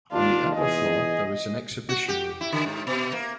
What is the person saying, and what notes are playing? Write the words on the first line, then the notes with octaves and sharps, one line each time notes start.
On the upper floor there is an exhibition room.
D#2 D4 F4
E2 G#4 D#5
F#4
G4
E4
D3
G#2
B2
A#3